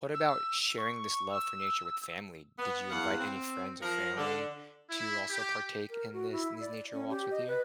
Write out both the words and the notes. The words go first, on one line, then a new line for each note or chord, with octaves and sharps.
What about sharing this love for nature with family? Did you invite any friends or family to also partake in this in these nature walks with you?
E6
C#6
E6
B3
E2 F5 F#5
C4
F3 A#4
D3
E4
G4
A#4
F#4
E4
D5
C#4
G4
D#5
B4